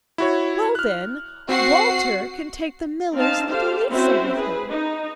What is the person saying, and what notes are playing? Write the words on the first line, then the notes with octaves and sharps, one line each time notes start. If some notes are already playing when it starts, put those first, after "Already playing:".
'Well, then, Walter can take the miller's little Lisa with him.
E4 F#4 C#5
F6 F#6
C4 F#4 F#5 C7
C4 C#4 D#4 F5 A5
G4 A4 C5 F5
C4 C#4 E4 F#4 C5 E5
G#4 B4
D#4